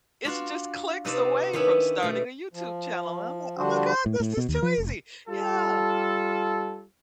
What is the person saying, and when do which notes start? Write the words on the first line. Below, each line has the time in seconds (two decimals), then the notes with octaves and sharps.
it's just clicks away from starting a YouTube channel. And I'm like, "Oh my God, this is too easy." Yeah.
0.25 D4 F4 F#4
1.05 C3 D#4 F4 B4 D5 A5
1.53 D#3 B3 C#4 D4 E4
2.03 B2 A3
2.53 F3
3.58 D3 F3 G3 D4 F#4 C5
4.06 A2
4.20 A2
4.37 B2
4.49 D#2
4.63 F3
4.78 F1
5.28 G3 F4 A4